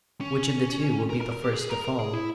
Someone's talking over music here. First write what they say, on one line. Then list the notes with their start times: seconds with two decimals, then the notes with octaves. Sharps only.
Which of the two will be the first to fall?
0.21 C#4
1.10 A#4
1.21 A#4
1.32 A#4
1.44 G4
1.54 G#4
1.69 A#4
1.85 A#4
1.99 G#4
2.14 E4